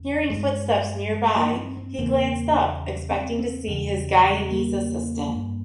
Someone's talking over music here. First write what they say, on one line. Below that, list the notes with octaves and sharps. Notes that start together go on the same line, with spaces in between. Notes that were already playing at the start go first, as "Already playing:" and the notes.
Hearing footsteps nearby, he glanced up, expecting to see his Guyanese assistant.
Already playing: E2 C#3
G2 G#3
G#3
A#3
C4
C4
E2 C#3 A#3
C4
C4
E2 C#3
A#3
G2